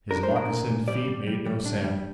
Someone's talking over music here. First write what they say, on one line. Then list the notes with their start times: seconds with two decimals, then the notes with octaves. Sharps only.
His moccasined feet made no sound.
0.11 D4 A#4
0.23 C5
0.31 D4 A#4
0.50 A#2
0.69 A#2
0.88 G3 D5
1.08 G3
1.27 G3
1.46 G3
1.66 D4
1.84 G3